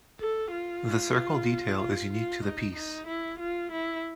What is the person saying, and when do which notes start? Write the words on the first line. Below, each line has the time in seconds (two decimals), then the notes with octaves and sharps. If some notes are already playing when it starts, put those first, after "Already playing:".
The circle detail is unique to the piece.
0.20 A4
0.51 F4
1.80 F4
2.12 F4
2.44 D#4
2.75 D#4
3.07 E4
3.39 F4
3.71 E4